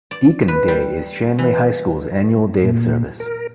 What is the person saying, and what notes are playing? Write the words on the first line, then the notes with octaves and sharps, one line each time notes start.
Deacon Day is Shanley High School's annual day of service.
D5
B4
G3
E3
A#2
A#4